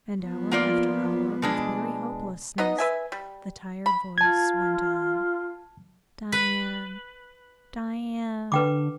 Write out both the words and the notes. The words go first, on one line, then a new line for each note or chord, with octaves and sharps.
And hour after hour with weary hopelessness the tired voice went on--"Diane, Diane...."
F3 B3
A#3 F4 D5
B2 G#3 D4
B3 D#4 D#5
B4 E5 G#5
G3
B5
F4 A5 G#6
B4
D3 B4 G5 D6